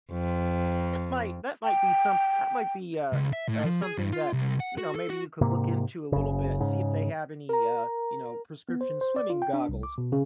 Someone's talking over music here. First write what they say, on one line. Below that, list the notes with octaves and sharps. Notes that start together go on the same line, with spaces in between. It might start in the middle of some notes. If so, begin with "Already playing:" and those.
That might that might be some that might be, uh uh, something that, you know, maybe you could look into a little bit, see if they have any, uh, you know, prescription swimming goggles.
F2
G5
C#2
E5
A2
F3
G#4
G2
F4
C2
F#5
F#4
A4
F#4
G#2 C3 A#3
F#1 C#3
G#2 C#3
A#4 A#5
B3
C5
C5
D5
F4
G5
D4
C2
D6
B2
C#3